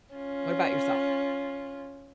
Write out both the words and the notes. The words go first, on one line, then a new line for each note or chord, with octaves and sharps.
What about yourself?
C#4 F4